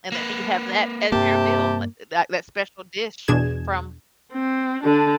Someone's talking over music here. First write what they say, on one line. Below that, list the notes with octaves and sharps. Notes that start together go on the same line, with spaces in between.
and then you have that as your meal li eh, that that special dish from
A#3 B4
G2 C3 A#3 G4 A5
E2 B2 D4 G#4 G#6 E7
C4
D3 D4